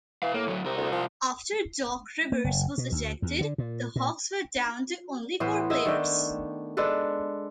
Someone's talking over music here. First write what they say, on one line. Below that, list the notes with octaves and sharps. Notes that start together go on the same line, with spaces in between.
After Doc Rivers was ejected, the Hawks were down to only four players.
B2 E3 F5
A2 A#3
D2 F#3
C2 C3 A#4
D2
F3
A#3
F#1
B2
D2
E2
D3
A#2
A#2
A2 E3 B3 C5
G#4 D#5 E5
D#3 A3 D4 G5
G#3 D4 A4 B4